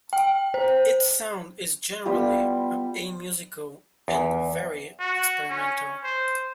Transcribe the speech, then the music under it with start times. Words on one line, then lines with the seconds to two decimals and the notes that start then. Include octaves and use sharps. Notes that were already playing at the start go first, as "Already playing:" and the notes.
Its sound is generally amusical, and very experimental.
0.13 G5
0.54 C5
2.05 G3 B3 F4 G4
4.08 E2
5.00 F#4
5.50 C#4
6.03 C5